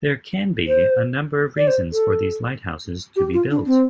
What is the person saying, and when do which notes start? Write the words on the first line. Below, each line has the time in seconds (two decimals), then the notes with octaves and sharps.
There can be a number of reasons for these lighthouses to be built.
0.67 C5
1.57 D5
1.68 C5
1.92 A4
3.16 G4
3.33 F4
3.51 D4
3.66 C4